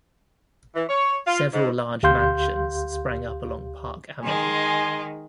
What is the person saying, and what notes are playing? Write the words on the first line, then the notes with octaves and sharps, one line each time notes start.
Several large mansions sprang up along Park Avenue.
E3
C#5
F4
G#2
D2 G4 F5 C6 G6
D#3 G#3 G#5 A#5 C6